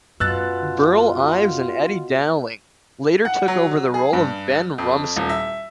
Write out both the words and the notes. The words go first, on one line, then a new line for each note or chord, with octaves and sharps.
Burl Ives and Eddie Dowling later took over the role of Ben Rumson.
F#2 B2 F4 E6 F#6 A6
F#5
F#3
G#4
G2
F2
D#1
E5